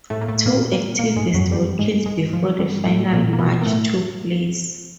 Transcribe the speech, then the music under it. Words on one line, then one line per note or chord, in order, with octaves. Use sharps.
Two activists were killed before the final march took place.
A2 A3
A#3
A2 A3
A#2 A#3
A#2 A#3
A#2 A#3
G#2 G#3
F#2 F#3
G2 G3
G#2 G#3
G#2 G#3
F3
F#3
G2 G3
A2 A3
A#2 A#3
A#3
B2 B3
A#3
A2 A3